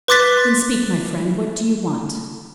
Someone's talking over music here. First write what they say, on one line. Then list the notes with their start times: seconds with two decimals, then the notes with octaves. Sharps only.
"Then speak, my friend; what do you want?"
0.08 B4 C6 D6 F#6 A6 B6